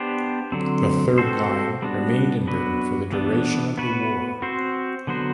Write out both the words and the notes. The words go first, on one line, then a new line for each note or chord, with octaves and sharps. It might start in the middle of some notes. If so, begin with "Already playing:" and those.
The third-line remained in Britain for the duration of the war.
Already playing: B3 D4 G4 C5
D3 F#3 C4
C4 F#4 A4 C5
G3 B3 D4 F#4
F#3 B3 D4 F#4 B4
E3 B3 D4
B3 F#4 B4
C4 F#4 C5
D3 F#3 B3 F#4 C5